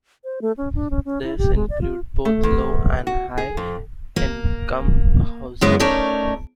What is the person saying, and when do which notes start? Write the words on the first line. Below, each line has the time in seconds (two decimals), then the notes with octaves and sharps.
These include both low and high income housing.
0.24 C5
0.42 A3
0.57 C#4
0.75 D4
0.90 C#4
1.05 C#4
1.23 E4
1.38 G4
1.55 G#3
1.70 D5
1.81 F4
2.25 A3
2.43 E2
3.07 F#4
3.38 G#4
3.57 F2
4.16 A#3
5.61 F#2 C#3 G#3 B3 E4 A#4
5.80 A3 C#4 D#4 A#4 D5